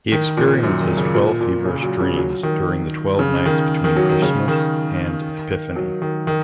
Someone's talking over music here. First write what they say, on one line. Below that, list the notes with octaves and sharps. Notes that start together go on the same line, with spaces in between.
He experiences twelve feverish dreams during the twelve nights between Christmas and Epiphany.
D#3
A#2
F#2
D#3
C#3
A#2
A#2
C#3
F#3
C#3
F#3
D#3
C#3
D#3
D#3
F#3
D#3
C#3
D#3
F#3
D#3
D#3